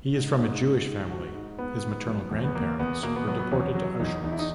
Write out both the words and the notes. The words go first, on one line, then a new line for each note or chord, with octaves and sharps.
He is from a Jewish family; his maternal grandparents were deported to Auschwitz.
G#2
G#2
G#2
D#3
G#2 F#4
G#2
G#2 B3
D#3
F#3
E2
B3
E2 A#3
E2 B3
B2 A#3
B3
F#3 B3
B3
E2 C#4
F#3
E2 D#4
E2 D#4
E4
D#4